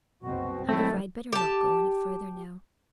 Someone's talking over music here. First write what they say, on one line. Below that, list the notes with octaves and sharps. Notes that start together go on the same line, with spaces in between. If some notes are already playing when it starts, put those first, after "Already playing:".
However, I'd better not go any further now.
F#1 C2 B2 C4 F#4
D#3 F#3 G#3 A3 C4 E4 A5
G4 A5